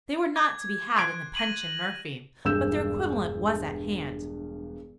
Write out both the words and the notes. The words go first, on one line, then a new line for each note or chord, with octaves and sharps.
They were not to be had in the Pension Murphy; but their equivalent was at hand.
D6 G#6
C6 F#6 G#6 D7
A#6 D#7 F#7
E1 G2 E6 G6 E7